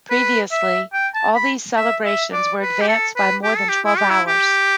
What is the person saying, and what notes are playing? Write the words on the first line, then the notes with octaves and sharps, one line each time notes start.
Previously, all these celebrations were advanced by more than twelve hours.
B4
E5
G5
A5
B5
E5
E5
D5
B4
G4
A4
B4
G4
A4
G4
E4
G4
E4
G4